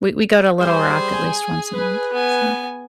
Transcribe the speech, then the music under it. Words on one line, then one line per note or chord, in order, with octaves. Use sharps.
We we go to Little Rock at least once a month, so
G3 G#4 C5 G#5
B4
B3 G#5